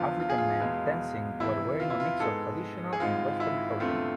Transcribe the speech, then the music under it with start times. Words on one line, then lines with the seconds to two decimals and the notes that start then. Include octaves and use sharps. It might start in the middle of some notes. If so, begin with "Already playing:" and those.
African men dancing while wearing a mix of traditional and western clothing.
Already playing: E2 D3 F3 F4
0.20 F4
0.30 G#4
0.38 F4
0.60 E2 B2 G#3 F4
1.40 F2 C3 E3 B3 E4
1.80 F4
1.90 E4
2.00 F4
2.20 G#2 G#3 B3 A4
2.93 G#4
3.00 G#1 G#2 G#3 F4
3.40 E4
3.80 E2 D3 A3 C4 F4